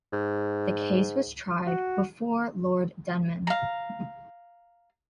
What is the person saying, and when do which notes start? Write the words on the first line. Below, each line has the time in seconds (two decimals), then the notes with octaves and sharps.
The case was tried before Lord Denman.
0.13 G#2
1.67 F#4
3.47 F5 A#5